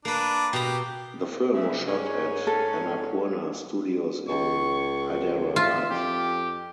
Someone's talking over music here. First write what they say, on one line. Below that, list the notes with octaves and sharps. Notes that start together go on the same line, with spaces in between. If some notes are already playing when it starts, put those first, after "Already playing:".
The film was shot at Annapurna Studios in Hyderabad.
A#3 D4 B4
B2 G4 A#5
C#3 D4 E5
G#2 C#4
A4
C#2 C#6
F4 E5
F2 G4